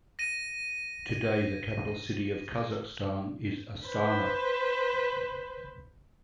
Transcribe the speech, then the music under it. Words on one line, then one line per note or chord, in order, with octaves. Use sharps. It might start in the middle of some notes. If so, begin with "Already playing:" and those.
Today, the capital city of Kazakhstan is Astana.
A#6 D#7
B4 C5